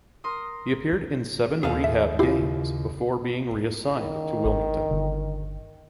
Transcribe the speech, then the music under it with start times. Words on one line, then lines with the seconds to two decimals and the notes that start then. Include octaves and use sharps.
He appeared in seven rehab games before being reassigned to Wilmington.
0.24 A#4 C6 D#6
1.63 D#2 G#4 A4 F5
1.84 E5
2.19 C#3 E4 F4 G4
3.97 D#3
4.45 G#1
4.91 G1 D3